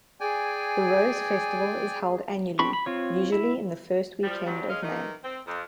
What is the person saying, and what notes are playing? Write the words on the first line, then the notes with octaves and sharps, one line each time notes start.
The Rose Festival is held annually, usually in the first weekend of May.
G#4 D5 G5 G#5
C4 D4 B5 C#6
B5
C4 F4 C#5
E4
F3 G3
F2 F#3 G3
G#3 C#4 D#5 F5
D#3 E3 D#4
C4
F2